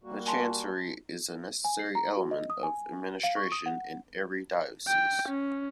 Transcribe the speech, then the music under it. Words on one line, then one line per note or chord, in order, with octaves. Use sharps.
The chancery is a necessary element of administration in every diocese.
G3 A#3 F#4
G#5 A5 C6
G#5
C7
A#5
F#4
D#5
D#6
G#5
F5
C#6
D#6
F#5
G5
C#4